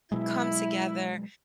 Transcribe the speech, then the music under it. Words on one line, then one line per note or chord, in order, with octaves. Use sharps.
come together,
B2 F#3 G#3 E4